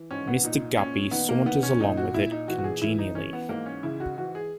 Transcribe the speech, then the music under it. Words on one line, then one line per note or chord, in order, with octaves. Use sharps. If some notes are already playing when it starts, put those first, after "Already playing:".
Mr. Guppy saunters along with it congenially.
Already playing: E3
G#2 C#4
B3
A#2 D#4
A#2 C#4
D#3 B3
A#3
D#3 B3
C#4
A#2 D#4
F#4
A#2 E4
D#4
E3 F#4
F#4
G#4
E3 E4
D#4
E3 C#4
B3
G#2 A#3
C#4
C#3 E4
F#4
E3 F#4
G#4